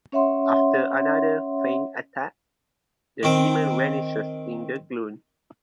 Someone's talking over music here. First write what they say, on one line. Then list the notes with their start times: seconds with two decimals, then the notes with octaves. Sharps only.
After another feigned attack, the demon vanishes in the gloom.
0.12 C#4 C#5 E5 F#5 C6
3.23 D#3 C4